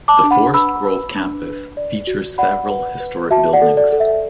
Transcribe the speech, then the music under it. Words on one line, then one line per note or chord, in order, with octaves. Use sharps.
The Forest Grove Campus features several historic buildings.
A5 D6
D4
F#5 B5
B4 B5 E6
B4
D4
B4
D5
F#4
D5 F#5 B5
B4
B4
F#4 E5 A5
D5 F#5
A4
D5
A4
E5